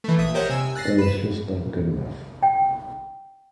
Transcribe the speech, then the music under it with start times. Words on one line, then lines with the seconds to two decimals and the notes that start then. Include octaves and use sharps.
That is just not good enough.
0.04 E3 A3
0.18 A#1 E5 D#6
0.34 G4 A#4 C5 C#5 D#5 F#5
0.50 C3 G#5 E6
0.75 F#6 A6 A#6 C7
0.98 B4 E7
2.43 G5